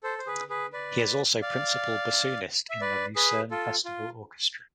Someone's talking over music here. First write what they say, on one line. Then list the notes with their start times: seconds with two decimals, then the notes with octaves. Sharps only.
He is also principal bassoonist in the Lucerne Festival Orchestra.
0.03 A4 C5
0.18 C5
0.27 G#4 B4
0.50 G#4 B4
0.73 B4 D5
1.42 D5 F5
2.70 E5
2.81 B4 D5
3.16 G#4 B4
3.51 F4 A4
3.85 F4